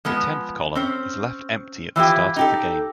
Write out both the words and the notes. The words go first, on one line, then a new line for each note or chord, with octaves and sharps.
The tenth column is left empty at the start of the game.
F3 G#3 B3
C4 C#4 C5
E3 F3 E4 G4
D#4 G4 A4